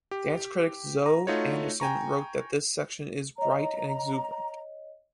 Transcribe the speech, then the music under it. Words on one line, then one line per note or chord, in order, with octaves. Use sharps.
Dance critic Zoe Anderson wrote that this section is "bright and exuberant".
G4
A#5
A3 D#4 F4 F#4 C#5
G5 G#5 A#5 C#6
C#5 D#5 A#5